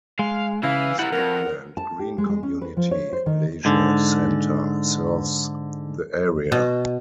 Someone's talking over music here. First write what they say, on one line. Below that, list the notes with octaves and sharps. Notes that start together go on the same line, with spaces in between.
Stockland Green Community Leisure Centre serves the area.
G#3 F5
C#3 E3 E4 F5
G3 E4 A#4 F#5
F2 A#4
A5
G4
G#3
G#3
C#4
B4
F3
C#5
C5
D#3
G#2 D3
B2